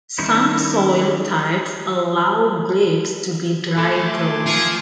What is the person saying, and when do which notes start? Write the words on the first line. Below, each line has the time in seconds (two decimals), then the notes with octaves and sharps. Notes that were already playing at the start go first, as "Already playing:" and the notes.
Some soil types allow grapes to be dry-grown.
0.18 D#3 G3 C#4 D#4 E4
3.77 A3 G#5 C6 D6
4.46 F3 G#4